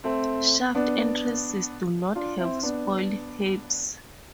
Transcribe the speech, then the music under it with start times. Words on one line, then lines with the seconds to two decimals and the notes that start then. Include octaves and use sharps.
Shaft entrances do not have spoil heaps.
0.04 A3 C4
0.75 B3 D4
2.15 D4 F4
2.39 C4 E4
2.63 B3 D4